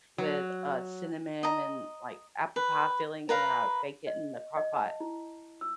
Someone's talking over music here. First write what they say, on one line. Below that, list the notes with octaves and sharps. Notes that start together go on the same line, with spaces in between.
with, uh, cinnamon and, like, apple pie filling, and then I bake it in the Crock-Pot,
F#3
D#5 A#5
B4
A#4 B4 F5 A#5
D#5
D#5
A5
E4
E6